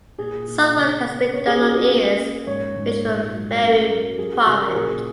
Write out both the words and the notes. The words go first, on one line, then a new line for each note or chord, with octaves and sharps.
Some work has been done on ears which were very prominent.
A#2 G#4
A#2
C#3
C#4
C#4 C#5
G#4
C#4 F#4
G#4
A#3
C#4
G#2 C#5
G#2
A#2
F#3
C#4 A#4
F#3
F#3 G#4
F#4
C#3 F#4
A#4
A#2 G#4